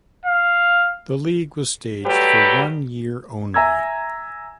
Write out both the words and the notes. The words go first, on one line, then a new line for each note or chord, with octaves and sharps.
The league was staged for one year only.
F5
F#3 G3 A3 G4 B4
E5 G#5 A#5 E6 G#6